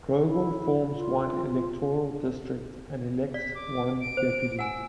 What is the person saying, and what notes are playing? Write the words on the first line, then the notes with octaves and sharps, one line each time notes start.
Grouville forms one electoral district and elects one Deputy.
E4
F4
D5 B6
D6
D7
C5
F#5 G#5 E6